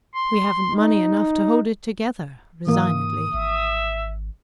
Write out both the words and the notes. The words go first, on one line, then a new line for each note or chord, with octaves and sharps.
"We haven't money enough to hold it together," resignedly.
C6
D#4
G#2 E3 A#3 D#6
G#1 E5